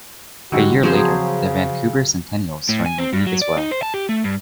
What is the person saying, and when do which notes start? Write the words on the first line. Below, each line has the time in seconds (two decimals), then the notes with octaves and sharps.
A year later, the Vancouver Centennials joined the league as well.
0.52 G2 D3 D#4 F#4 E6
0.83 C#3 F3 F#3 C4 G#4 C5
2.69 A2
2.86 G#5
2.98 C4
3.13 G2
3.27 F#3
3.42 D5
3.57 D#4
3.71 C5
3.83 A5
3.94 G4
4.09 A3
4.24 G2